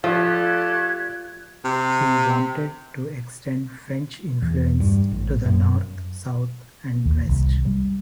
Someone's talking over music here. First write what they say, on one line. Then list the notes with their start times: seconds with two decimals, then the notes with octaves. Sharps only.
He wanted to extend French influence to the north, south and west.
0.04 F3 A3 G4 D5 F5 F#6 G#6
1.65 C3
4.42 E2
4.80 G2
5.11 A1
5.46 F#2
7.06 D#2
7.29 C2
7.67 G3